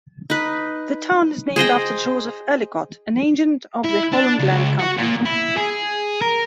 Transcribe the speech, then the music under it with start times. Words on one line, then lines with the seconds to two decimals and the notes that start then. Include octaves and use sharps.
The town is named after Joseph Ellicott, an agent of the Holland Land Company.
0.30 D#4 B4
1.56 G#4 C5 D#5 G5
3.85 E4
4.13 D4
4.40 C#2
4.80 F#4
4.97 A#2
5.26 E4
5.58 G#4
6.22 A#4